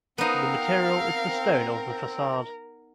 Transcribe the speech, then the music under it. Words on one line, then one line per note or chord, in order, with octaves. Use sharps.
The material is the stone of the facade.
B3 C4 D#4 A#4 F5